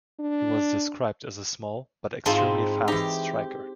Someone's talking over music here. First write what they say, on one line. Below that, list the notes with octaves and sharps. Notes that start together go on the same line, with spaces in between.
He was described as a small, but extremely fast striker.
D4
G#2 C4 E4 F4 F5 A5
E3 D#4 G4